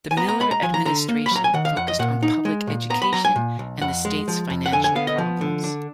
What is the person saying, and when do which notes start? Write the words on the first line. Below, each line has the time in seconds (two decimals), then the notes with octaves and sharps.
The Miller administration focused on public education and the state's financial problems.
0.11 G#5
0.17 B3 A#5
0.29 A#5
0.40 G#3 B5
0.51 A#5
0.62 F3 G#5
0.74 A#5
0.86 D3 A#5
1.09 A#3
1.26 B5
1.31 F#3 A#5
1.44 G#5
1.54 D#3 F#5
1.65 F5
1.76 F2 F#5
1.88 D#5
1.99 A#2 F#5
2.23 D#4
2.45 G#3
2.67 A#2
2.90 B3 A#5
3.02 B5
3.13 F#3 A#5
3.25 G#5
3.36 A#2
3.59 B1
3.82 F2 F#5
4.05 G#3
4.28 F3
4.50 F2
4.66 F#5
4.73 D3 G#5
4.84 G#5
4.95 B3 F5
5.07 D#5
5.18 F3
5.41 D3
5.64 D4